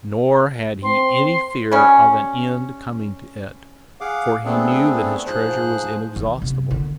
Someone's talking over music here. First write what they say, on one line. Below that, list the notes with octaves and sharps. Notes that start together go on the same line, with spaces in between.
Nor had he any fear of an end coming to it, for he knew that his treasure was inexhaustible.
C4 C6
G3 C#4
G#4 F5 F#5 D6
A3 B3 C4 D4 G#4 A4
G#2 F3 G#4 C5 F#6
D#3
C3
D3 D#3